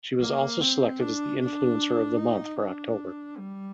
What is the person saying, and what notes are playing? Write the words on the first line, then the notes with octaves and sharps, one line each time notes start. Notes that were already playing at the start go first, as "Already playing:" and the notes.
She was also selected as the Influencer of the month for October.
A#3
C4
D4
D4
D#4
D4
G3